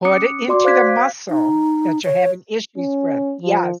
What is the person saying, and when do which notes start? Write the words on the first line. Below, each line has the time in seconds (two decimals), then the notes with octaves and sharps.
put it into the muscle that you're having issues with, yes.
0.05 C#4 D6 D#6 F#6 C#7
0.48 F#4 D5 C6 D6
0.64 C5 F5 D6 F#6 G#6 B6
0.87 F5
1.30 D#4
2.04 C#5
2.77 C#4
3.42 F3